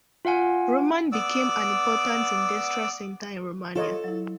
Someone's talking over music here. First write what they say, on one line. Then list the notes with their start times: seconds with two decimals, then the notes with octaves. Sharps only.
Roman became an important industrial center in Romania.
0.25 F4 F5 F#5 G#5
1.12 B3 D5 D6 E6
3.76 F4 A4 C#5 D#5
4.04 F#3 E4